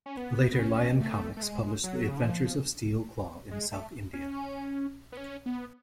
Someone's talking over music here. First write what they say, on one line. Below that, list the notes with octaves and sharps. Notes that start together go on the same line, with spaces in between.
Later "Lion Comics", published the adventures of Steel Claw in South India.
C#4
B3
B3
C#4
A3
A3
G#3
F#3
C#3
D3
F3
G#3
A3
C#4
B3
C#4
B3